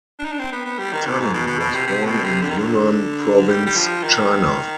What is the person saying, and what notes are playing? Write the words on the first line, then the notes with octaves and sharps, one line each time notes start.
Tang was born in Yunnan province, China.
D4
D#4
D4
C4
B3
B3
G3
D#3
B2
G#2
B2
B2
B2
C3
C3
B2
C3
D3
D#3
D3
G3
G3
F3
D#3